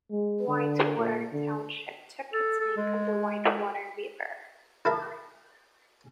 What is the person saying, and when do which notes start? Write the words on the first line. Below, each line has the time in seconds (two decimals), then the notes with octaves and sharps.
Whitewater Township took its name from the Whitewater River.
0.11 G#3
0.48 D3
0.98 A#2
1.32 D3
2.33 A4
2.60 A4
2.77 G#3
4.85 E4 A4 A#4 B5